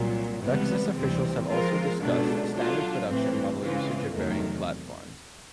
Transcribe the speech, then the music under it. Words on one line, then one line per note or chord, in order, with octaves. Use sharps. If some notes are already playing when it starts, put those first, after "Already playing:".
Lexus officials have also discussed standard production model usage of varying platforms.
Already playing: C2 A#2 F#3
C#2 C3 E3 G3 B3
D2 C3 E3 G3 C4
F3 G#3 C4 F4 A#4
C#2 B2 F#3 A3 D4
F#3 A3 D4 F4
A2 E3 A3 C4
C#3 E3 G#3 C4 F4
E2 C3 D#3 F#3 A3